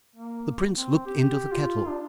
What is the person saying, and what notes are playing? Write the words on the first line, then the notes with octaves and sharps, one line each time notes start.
The prince looked into the kettle.
A#3
C4
G4
F4
D4